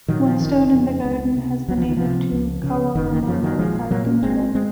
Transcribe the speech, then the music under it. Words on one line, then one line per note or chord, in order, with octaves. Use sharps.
One stone in the garden has the name of two "kawaramono" carved into it.
A#2 D#3 F#3
F3
F#1 D#3
F2 C#3
C#2
C3
C#2 F#3
F3
D#3
C3 F3
C#2
C#3
F#1 D#3
D#3
D#3
F#2 C#3 F3
D#3 F#3
A#1 F3 G#3
A#2 F#3 A#3
A#3 C#4
G#1 G#3 C4
G#3 C4